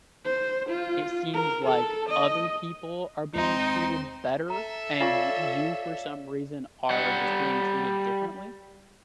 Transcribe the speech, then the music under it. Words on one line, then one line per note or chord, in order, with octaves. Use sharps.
it seems like other people are being treated better and you you, for some reason, are just being treated differently?
C5
F4
A#4
A4
D#5
D#2 G#3 C4 D#4 C6
A4 E5 A#5
F4 C#5 D5 F5 G#5 C#6
G3 F#5